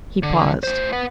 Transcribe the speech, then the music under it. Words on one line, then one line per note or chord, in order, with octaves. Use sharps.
He paused.
D3
A2 C5
B4 F#5